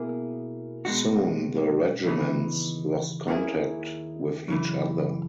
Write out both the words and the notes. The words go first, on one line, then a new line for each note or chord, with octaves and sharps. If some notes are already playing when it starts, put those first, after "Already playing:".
Soon the regiments lost contact with each other.
Already playing: B2 A#3 E4 G#4
B2 G#3 D#4 F#4
D#2 C#3 E3 B3 D#4
D#2 D#3 A#3 E4 G#4
F#2 C#3 E3